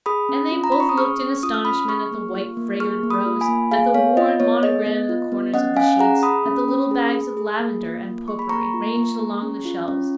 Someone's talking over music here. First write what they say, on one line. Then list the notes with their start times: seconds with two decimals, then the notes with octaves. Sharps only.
And they both looked in astonishment at the white, fragrant rows, at the worn monogram in the corners of the sheets, at the little bags of lavender and pot-pourri ranged along the shelves.
0.06 G#4 B5 D#6
0.29 C#4
0.52 F4
0.64 A#5
0.72 C#4 B5
0.80 C#6
0.89 D#6
0.98 G#4 C#6 F6
1.20 C#4
1.43 F4 D#6
1.54 F6
1.65 C#4 B5 D#6
1.89 G#4 C#6 F6
2.11 A#3
2.34 F4
2.57 A#3
2.80 G#4 C#6 F6
3.03 A#3
3.10 B5 D#6
3.26 F4
3.41 G#5 B5
3.48 A#3
3.71 G#4 F5 G#5
3.94 B3 C#5 F5
4.17 F4 D#5
4.40 B3 C#5
4.63 G#4 D#5
4.86 B3
5.09 F4
5.32 B3
5.54 C#4 D#5 F#5
5.76 C#4 F5 G#5
5.99 G#4 F#5 A#5
6.22 G#4 B5 D#6
6.46 C#4
6.68 C#4
6.91 G#4
7.14 G#4
7.37 G#4
7.60 A#3
7.83 F4
8.05 A#3
8.28 G#4 C#6
8.39 B5
8.49 A#3 A#5 C#6
8.74 F4
8.97 A#3
9.19 G#4
9.42 C#4
9.65 F4
9.88 C#4